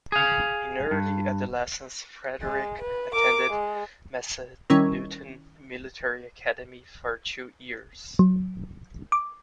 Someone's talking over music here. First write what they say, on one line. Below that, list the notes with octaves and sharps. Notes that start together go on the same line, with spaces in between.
In early adolescence, Frederick attended Massanutten Military Academy for two years.
G#4 F5
G2
G#3
B4
A#4 D6
G#3
D#3 G3 C#4 E4 A#4
F#3
D6